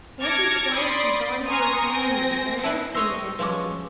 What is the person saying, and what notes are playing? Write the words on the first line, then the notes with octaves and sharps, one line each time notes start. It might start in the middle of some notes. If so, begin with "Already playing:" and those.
Once or twice he thought he heard something laughing at him.
A5 D6 F6 G#6 A#6 C#7
D5 B5 C6 D#6
G#5 A#5 C6 C#6 D#6 F6
C4 G#5 A#6
E4 B4 A5
C5 C#5 D#5 C6 E6 A#6
F3 G#3 C#4 B4 D6